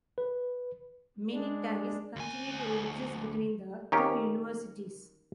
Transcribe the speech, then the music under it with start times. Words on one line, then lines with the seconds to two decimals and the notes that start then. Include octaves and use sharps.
Many ties continue to exist between the two universities.
0.18 B4
1.32 G#3 D4
2.16 D2 G#5
3.92 D#3 A#3 C#4 G4